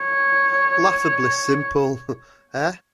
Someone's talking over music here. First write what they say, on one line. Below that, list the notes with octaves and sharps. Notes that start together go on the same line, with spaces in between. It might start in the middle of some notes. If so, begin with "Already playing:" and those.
Laughably simple, eh?
Already playing: C#5